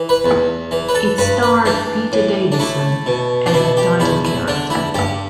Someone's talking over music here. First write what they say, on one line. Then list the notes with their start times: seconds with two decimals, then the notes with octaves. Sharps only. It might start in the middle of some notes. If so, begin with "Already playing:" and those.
It starred Peter Davison as the title character.
Already playing: E3
0.09 B4
0.24 E2
0.71 E3
0.89 B4
0.94 A4
1.18 G2 B4
1.43 B4
1.65 E3 D4
2.12 A2
2.52 D4
2.59 A3 E4
3.06 B2
3.46 D4
3.53 B2 E4
3.77 G4
4.00 E2 E4
4.25 E4
4.48 D3 D4
4.70 E4
4.94 G2 G4